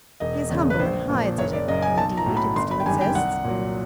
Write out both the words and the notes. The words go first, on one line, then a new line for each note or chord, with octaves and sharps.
He is humble and hides it, if, indeed, it still exists.
E1 D#5
E2 C#3
B4
A#1 C5
A#2 F3
F#1 C#5
D5
F#2 C#3 D#5
G#5
B1 A5
A#5
A2 F#3
B5
G1 C6
B5
G5
F#2 D#3 G3 G#5
G5
C2 F#5
A#2 F#3